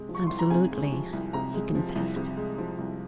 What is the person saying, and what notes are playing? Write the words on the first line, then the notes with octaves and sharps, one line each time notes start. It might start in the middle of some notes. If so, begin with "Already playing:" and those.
"Absolutely," he confessed.
Already playing: C3 G#3
F3
C#6
C2 C6
A#5
C3 G#5
G#3
F3
C2
C3 A#5
G#3
F3
C2
C3
G#3
F3
C2